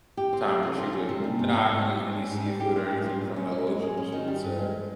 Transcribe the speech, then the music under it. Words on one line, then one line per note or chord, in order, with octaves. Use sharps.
time where she would not eat any seafood or anything from the ocean, she would say.
G4
C4
C3
F3
F4
C#4
C3
G3
G#2
C4
G#2
G3
G#2
C#4
G#2
G3
G4
C4
G#2
F3
A#2
C#4
A#2
G#3
G#4
C#4
D#3
G3
G2
G#3